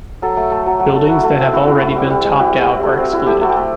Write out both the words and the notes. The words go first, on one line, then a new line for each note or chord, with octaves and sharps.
Buildings that have already been topped out are excluded.
F#3 A4
A3
A3
F#3
F#3
A3
E4 F#4
A3
C4
E4 F#4
E4
A3
G3
G3
G3
E4 F#4
G3
G3
A3
C4
E4
A3 G4
A3 F#4
G4
A3